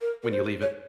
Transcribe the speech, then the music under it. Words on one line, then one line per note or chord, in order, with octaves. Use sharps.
when you leave it
A#4
A#4
C5
C#5